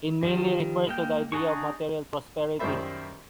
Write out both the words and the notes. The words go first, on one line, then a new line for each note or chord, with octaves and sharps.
It mainly refers to the idea of material prosperity.
D#3 F3 G3
G#3 A#3 G5
D4 D#4 F#4 G#4 C#6
F#2 D#3 G3 C5 E5 B5